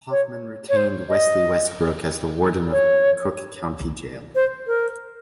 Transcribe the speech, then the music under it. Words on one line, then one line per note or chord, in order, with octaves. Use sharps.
Hoffman retained Wesley Westbrook as the warden of Cook County Jail.
C#5
C#5
C5
D#5
C#5
C5
A#4